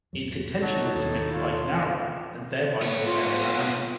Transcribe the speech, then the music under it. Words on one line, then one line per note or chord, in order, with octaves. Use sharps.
Its intention was to make the bike narrower, and there by more aerodynamic.
D#1 G2 F#3
C3 F#3 D#4 C#5 A5
D#2 A2
F4
B3 C#5
F4